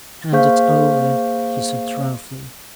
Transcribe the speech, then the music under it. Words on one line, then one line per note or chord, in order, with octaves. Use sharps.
"Hand it over," he said roughly.
A#3 G#4 C5 F5 C#6 G6